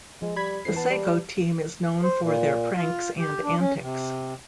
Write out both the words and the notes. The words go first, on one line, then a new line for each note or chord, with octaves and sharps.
The Saeco team is known for their pranks and antics.
F3 G#3
G3 B5 G#6 B6
F2 E3 C7
B3 A5
G3
C5
A#2
F4
G4
D4
C#4
C3